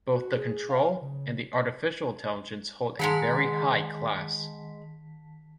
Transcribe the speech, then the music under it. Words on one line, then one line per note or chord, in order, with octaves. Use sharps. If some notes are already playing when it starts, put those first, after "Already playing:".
Both the control and the artificial intelligence hold a very high class.
F#4
G#4
F5
C#3
D#3 G#3 F#5 A5 A#5 B6